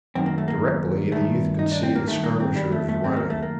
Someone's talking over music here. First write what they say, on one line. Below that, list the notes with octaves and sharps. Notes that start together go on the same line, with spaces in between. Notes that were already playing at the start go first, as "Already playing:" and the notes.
Directly the youth could see the skirmishers running.
F#2 D#3 C4
A#3
A3
A#3
G2 D#3 A3
D#4
D4
C4
A#3
G2 D#3 A3
A#3
C4
G3
A3
A3
F#2 D#3 C4
A#3
A3
A#3